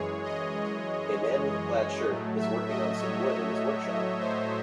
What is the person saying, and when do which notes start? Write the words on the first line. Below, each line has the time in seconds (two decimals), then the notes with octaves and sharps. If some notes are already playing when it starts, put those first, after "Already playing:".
A man with a plaid shirt is working on some wood in his workshop.
Already playing: F#2 E3 G#3 G#4 C#5
0.23 D#5
2.07 A2 F#3 A3
2.37 E5
2.67 D#5
2.98 C#5
3.28 D#5
3.89 D#5
4.19 C5